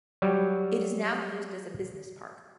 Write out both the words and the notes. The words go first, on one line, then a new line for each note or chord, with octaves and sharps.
It is now used as a business park.
F#3 G3